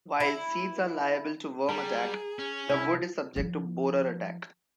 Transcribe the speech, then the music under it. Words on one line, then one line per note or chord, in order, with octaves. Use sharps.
While seeds are liable to worm attack, the wood is subject to borer attack.
E4
G3 G#4 A#4
C#4
C2 E4
F3 E4